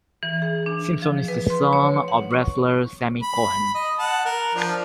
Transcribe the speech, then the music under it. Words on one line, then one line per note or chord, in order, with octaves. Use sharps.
Simpson is the son of wrestler Sammy Cohen.
E3
G#4
D4
F3
B4
C6
C#5
F#5
C#6
B5
D#5
F#5 A5
A#4
F3 D4